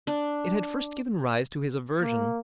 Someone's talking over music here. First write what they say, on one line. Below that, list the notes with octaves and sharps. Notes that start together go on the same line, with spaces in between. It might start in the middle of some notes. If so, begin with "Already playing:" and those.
It had first given rise to his aversion.
D4
A#3